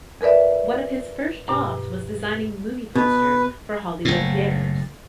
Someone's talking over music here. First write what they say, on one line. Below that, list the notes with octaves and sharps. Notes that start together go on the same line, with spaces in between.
One of his first jobs was designing movie posters for Hollywood theaters.
F2 A#4 B4 D5 E5
G2 B2
B2 B4
F#1 A2